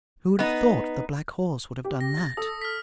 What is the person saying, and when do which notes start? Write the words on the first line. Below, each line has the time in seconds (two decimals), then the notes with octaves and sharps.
Who would have thought the black horse would have done that?
0.39 B3 D#4
1.85 G4
2.00 A#6
2.17 A6
2.37 A4 D#6
2.62 F6 B6